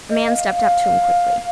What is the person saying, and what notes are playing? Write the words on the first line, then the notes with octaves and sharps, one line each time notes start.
A man stepped up to him quickly.
D#5
F5